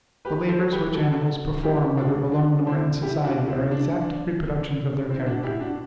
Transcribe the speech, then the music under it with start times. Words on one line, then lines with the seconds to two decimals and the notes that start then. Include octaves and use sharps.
The labors which animals perform, whether alone or in society, are exact reproductions of their character.
0.25 G4 B4
0.48 A4 C5
0.72 G4 B4
0.94 F#4 A4
1.63 E4 G4
1.98 D4 F#4
2.32 D4 F#4
2.67 C4 E4
3.02 E4 G4
3.25 D4 F#4
3.48 C4 E4
3.71 D4
5.09 C4 E4
5.26 D4 F#4
5.43 E4 G4
5.60 D4 F#4